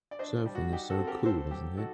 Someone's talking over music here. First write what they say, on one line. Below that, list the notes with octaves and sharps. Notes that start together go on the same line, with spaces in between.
Surfing is so cool, isn't it?
D5
D4 C5 D#5
G3
F#4
D#4 G4
F#4 A4
C4
G4 A#4
A3 A4 C5
F#3 G4
D#4 F#4 A4